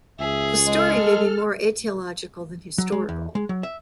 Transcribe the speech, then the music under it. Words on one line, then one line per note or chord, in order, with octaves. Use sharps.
The story may be more aetiological than historical.
C#2 G#4 E5
G#3 A4 F6
F#3
G#3
E2
G#3
F#3
E5